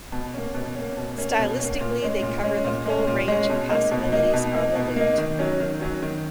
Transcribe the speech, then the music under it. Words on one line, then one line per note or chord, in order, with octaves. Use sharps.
Stylistically, they cover the full range of possibilities on the lute.
B2
A#3 C#4
B2
A#3 C#4
B2
A#3 C#4
B2
A#3 C#4
A#2
G#3 C#4
A#2
G#3 C#4
A#2
G#3 C#4
A#2
G#3 C#4
B2
A#3 D#4
B2
A#3 D#4
B2
A#3 D#4
B2
A#3 D#4
D#3
F#3 C#4
D#3
F#3 C#4
D#3